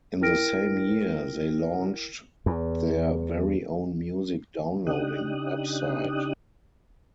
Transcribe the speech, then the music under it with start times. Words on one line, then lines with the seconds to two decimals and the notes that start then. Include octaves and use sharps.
In the same year, they launched their very own music downloading website.
0.21 E4 A#4 G5 F6 A#6 D7
2.46 E2
4.87 C#3 D4 D#4 G4 D#6 F#6